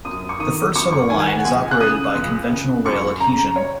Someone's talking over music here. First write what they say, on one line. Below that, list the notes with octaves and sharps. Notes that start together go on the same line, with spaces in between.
The first of the line is operated by conventional rail adhesion.
F#2 D#6
C#6
D#3 D#6
F#2 C#6
C#6
D#3 G#5
G#5
F#5
C#2 G#5
F#6
C#3 D#6
C#2
C#3
F#2 C#6
C#3 A#5
C#5